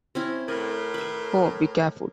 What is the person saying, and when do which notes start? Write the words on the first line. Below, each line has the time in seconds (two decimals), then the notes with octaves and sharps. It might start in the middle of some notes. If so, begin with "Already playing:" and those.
Oh, be careful.
0.15 C4 C#4 E4
0.48 A2 A#4 B4
0.94 B4 E5